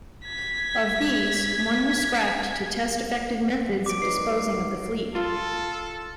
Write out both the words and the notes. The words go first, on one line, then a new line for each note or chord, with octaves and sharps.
Of these, one was scrapped to test effective methods of disposing of the fleet.
G#6 B6
F#3 G3 A3
D6 D7
D#4 B4 D#5 C7
A#4
F4 A4